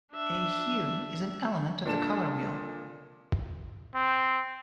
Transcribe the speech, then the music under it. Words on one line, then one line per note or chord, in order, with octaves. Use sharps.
A hue is an element of the color wheel.
D4 E5
A#2 D4 A4 E7
C4